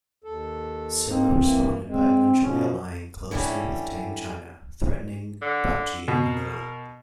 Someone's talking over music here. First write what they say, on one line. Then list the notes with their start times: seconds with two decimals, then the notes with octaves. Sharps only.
Silla responded by eventually allying closely with Tang China, threatening Baekje in the middle.
0.24 D#2 A4
1.08 A#3 C4 D#4
1.40 E3 A#3
1.86 G#3 C4
2.43 B2 F3 C#4
3.31 D3 E3 G3 A3 C#4
5.42 D3
6.08 B2
6.25 A#4